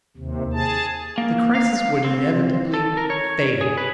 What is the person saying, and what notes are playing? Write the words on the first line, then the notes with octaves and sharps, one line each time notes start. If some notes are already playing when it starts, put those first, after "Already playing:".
The crisis would inevitably fail.
D#2 C3
G#4 A5
A#3
F5
C4
A4
A#4
C#5
G#4
B4